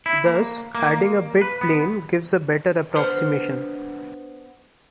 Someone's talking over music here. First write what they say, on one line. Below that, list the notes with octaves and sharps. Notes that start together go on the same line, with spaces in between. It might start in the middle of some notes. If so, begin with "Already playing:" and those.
Thus, adding a bit plane gives a better approximation.
E4
A#3
A#3
A#3
B4
B3
B3 D4 C5 F6